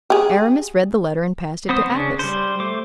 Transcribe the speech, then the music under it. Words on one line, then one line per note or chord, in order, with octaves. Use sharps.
Aramis read the letter, and passed it to Athos.
G4 G#4
B3 C4 C5 D#6
C#3 C#4 D4
G3 C5
A3 C5 D6